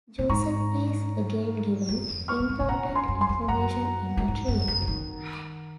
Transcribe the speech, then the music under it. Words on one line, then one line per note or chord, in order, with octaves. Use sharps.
Joseph is again given important information in a dream.
A#2
G#2 A#5 C#6
F#2
F2
C#6 F6
A#2
G#2
C3 G#5
A#2 F#5 A#5
F#2
G#5 C6
F#2
G#5 C6
F2
F#2 F#5 A#5
F#2
G#2
F#2
F#2
C#3
D#3